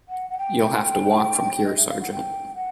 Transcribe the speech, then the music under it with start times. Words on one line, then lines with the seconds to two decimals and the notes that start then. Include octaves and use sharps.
You'll have to walk from here, sergeant.
0.08 F#5
0.30 F#5
0.38 G5
1.64 D#5
1.76 E5
1.88 F5
2.00 F#5
2.11 G5
2.54 F#5